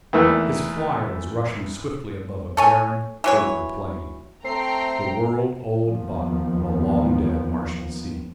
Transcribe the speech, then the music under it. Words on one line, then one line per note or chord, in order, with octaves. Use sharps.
His flier was rushing swiftly above a barren, ochre plain--the world-old bottom of a long-dead Martian sea.
E2 D#3 E3 A3 A#3
A4 C#5 G#5
E3 F#3 C#5
A3 C4 G5 A#5 C7
D#2 D#3 F3 B3